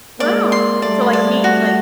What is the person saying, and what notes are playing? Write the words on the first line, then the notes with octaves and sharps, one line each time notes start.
wow. So like meet like
G#3 A#3 D5
C6
G3 A3 D5
D5
F#4